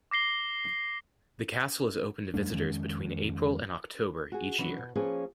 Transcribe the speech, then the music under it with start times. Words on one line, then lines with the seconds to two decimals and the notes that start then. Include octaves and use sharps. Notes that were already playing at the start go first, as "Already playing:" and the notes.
The castle is open to visitors between April and October each year.
0.11 D6 A#6 C7 G7
2.34 F2 G3 A3 D4
2.52 F2 D#3 G#3 C#4
4.32 F#4 G#4
4.58 E3 F#3 C#4 D4
4.77 B2
4.95 F3 A#3 C#4 G#4 B4 C#5